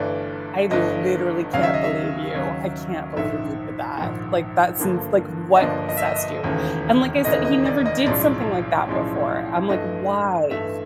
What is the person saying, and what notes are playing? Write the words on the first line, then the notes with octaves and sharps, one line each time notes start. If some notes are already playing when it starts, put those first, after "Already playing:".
"I literally can't believe you, I can't believe you did that, like, that seems like what possessed you?" And like I said, he never did something like that before, I'm like, "Why?"
Already playing: G1 G2 E3 A3 D5
G1 G2 E3 A3 D#5
D#2 C#3 F#3 F5
E5
D#5
E5
D#2 C#3 F#3
A#1 G#2 D#3 E5
A#1 G#2 D#3
G1 G2 D3 F3 A#3
D#5
G1 G2 D3 F3 A#3 D5
D#5
E5
D#5
D#5
E1 D#2 C#3 E3 A3
E1 D#2 C#3 E3 A3 D#5
D#5
D5
D#5
B1 A2 F3 G#3 C#4 D5
B1 A2 F3 G#3 C#4
G2 E3 A3 D#5
G2 E3 A3 E5